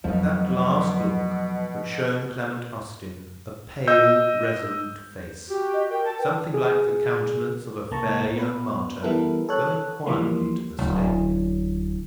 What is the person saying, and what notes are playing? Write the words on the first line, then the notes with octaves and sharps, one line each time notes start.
That last look had shown Clement Austin a pale resolute face, something like the countenance of a fair young martyr going quietly to the stake.
F2 B2 F3 F#3 A3 D#4
D#5 E6 G6
F#4 G4
D#5
A#4 G5
A5
B4 G5
G#4
C2 A#3 A5 A#5 C#6
B3 B4
E3 G3 B3 E4 A4 A#4
A4 C#5 F#6
E3 F3 G3 A#3 C6
D1 C#4